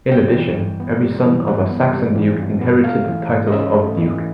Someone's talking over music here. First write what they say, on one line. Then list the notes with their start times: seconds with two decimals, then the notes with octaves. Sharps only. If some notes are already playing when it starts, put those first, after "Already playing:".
In addition, every son of a Saxon duke inherited the title of duke.
0.12 G3 G5
0.35 E3
0.57 G2
0.80 B3
1.02 G3
1.25 E3
1.48 G2 F#5
1.70 B3
1.93 G3
2.15 E3
2.38 G2
2.61 B3
2.84 A3 F5
3.06 E3
3.29 G#2
3.47 D#5
3.52 C#4 E5
3.75 A3
3.97 E3